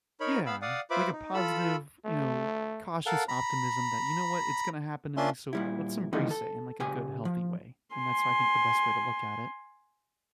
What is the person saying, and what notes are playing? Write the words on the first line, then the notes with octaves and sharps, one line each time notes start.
Yeah. Like a positive, you know, cautious optimism that, "You know what? It's gonna happen to me, so let's embrace it in, like, a good healthy way," and that's why I think the best way to look at it.
D#4 A#4 C#5 B5
B3 F5 B5 E6
D5 F5 F#5 D#6
F4 B4 C5 E5 B5 D6
D#4
F4 A4 B5 E6
A3
A4 A#4 F5 F#5 A5
A#5 B5
A#3 C#4 D4 F4 E5 C6
A#2 G3 E4
D3 E3 F3 G3 A3 D#4
A4
C#2 G4 G#5
F3
G#5 C6